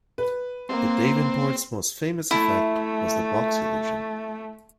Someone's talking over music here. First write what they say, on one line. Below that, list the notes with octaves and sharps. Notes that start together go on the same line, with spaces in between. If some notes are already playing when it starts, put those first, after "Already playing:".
The Davenports' most famous effect was the box illusion.
B4
A#3 C4
A3 E4